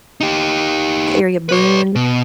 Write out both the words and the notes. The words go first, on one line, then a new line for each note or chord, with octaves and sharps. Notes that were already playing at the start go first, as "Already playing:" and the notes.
area, Boone,
D#4 G4
B4 C#5
B2